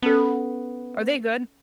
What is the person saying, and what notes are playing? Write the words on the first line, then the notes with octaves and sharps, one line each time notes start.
Are they good?
B3 C#4 A4